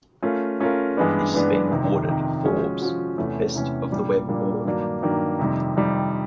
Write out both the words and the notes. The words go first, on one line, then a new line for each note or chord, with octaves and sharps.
It has been awarded Forbes' Best of the Web award.
A3 C#4 F4 A#4
A3 C#4 F4 A#4
G2 E3 G#3 B3 D4
G2 E3 G#3 B3 D4
F2 C3 D#3
F2 C3 D#3
F3 G#3 C#4 F#4
F3 G#3 C#4 F#4
E2 C3 E3 A3 C#4
E2 C3 E3 A3 C#4
A#2 G3 A#3 D4
A#2 G3 A#3 D4
G2 D#3 F#3 A#3 D4
G2 D#3 F#3 A#3 D4
F2 C3 D#3 G3
F2 C3 D#3 G3